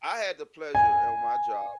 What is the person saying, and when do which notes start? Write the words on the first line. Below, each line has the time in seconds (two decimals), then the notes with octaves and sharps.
I had the pleasure at my job
0.75 G#5